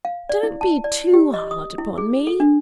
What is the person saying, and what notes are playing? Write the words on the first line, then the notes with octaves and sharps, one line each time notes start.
'Don't be too hard upon me.
F5
D5
E4
A5
D5
G4
D#5
D#6
E4
G#4
A4
D4